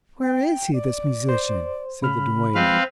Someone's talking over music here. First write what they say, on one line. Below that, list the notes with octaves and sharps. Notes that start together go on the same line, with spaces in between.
"Where is he, this musician?" said the duena.
G5
D5
C5
C#3 B5 F6
F3 G#3 C4 B4 F5